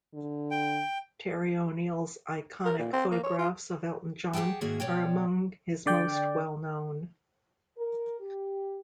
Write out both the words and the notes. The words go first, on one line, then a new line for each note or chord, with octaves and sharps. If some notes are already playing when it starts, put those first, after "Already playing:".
Terry O'Neill's iconic photographs of Elton John are among his most well-known.
D3
G5
A#4
A#2
C4
A#3
C#5
F4
G4 G#4 F#5 G5 A5
G#2 D#3 A#3 F#4 G#4 E5
B2 C#5 D5 G5
D3 D5 G5
A#4
G4